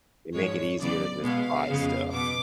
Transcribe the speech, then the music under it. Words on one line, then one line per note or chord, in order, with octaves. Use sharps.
they make it easier to just buy stuff.
G#2 F3 G#3 C#5
C#3 F#3 B3 D5
B2 G#3 B3 F5
F2 C#3 G#3 B3
B2 D6